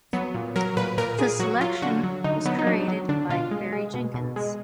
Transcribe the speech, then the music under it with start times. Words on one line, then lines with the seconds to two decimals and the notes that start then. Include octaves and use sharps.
The selection was curated by Barry Jenkins.
0.13 F#3 B3
0.35 A#2
0.56 F#3 A#4
0.77 A#2 B4
0.97 A#2 A#4
1.19 A#2 G#4
1.39 F#3 F#4
1.61 F#3 F4
1.82 D3 F#4
2.04 F#3
2.24 D3 D#4
2.45 F#3 B3
2.59 D#4
2.67 F#3 D4
2.88 F#3
3.09 D3 D4
3.30 B2 F4
3.51 G#3
3.73 G#3
3.94 B2
4.14 B2
4.36 G#3